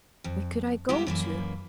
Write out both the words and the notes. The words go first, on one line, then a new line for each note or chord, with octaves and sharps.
'Where could I go to?
F2
G3 G#3 A#3 B3 E4 G4
F#2 E3 A#3